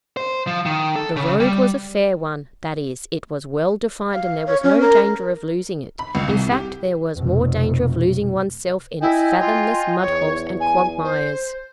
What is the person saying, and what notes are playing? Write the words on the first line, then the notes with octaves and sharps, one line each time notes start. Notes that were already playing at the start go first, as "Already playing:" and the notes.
The road was a fair one; that is, it was well defined and there was no danger of losing it; in fact, there was more danger of losing one's self in its fathomless mud-holes and quagmires.
C5
F3
D#3
A4
C#3
G3
F5
C#5
C#4
A#4
B5
C#2
C2
G4
F1 B2
E4 D#5 G5 G#5
F4
E2 C#5
G#5
C5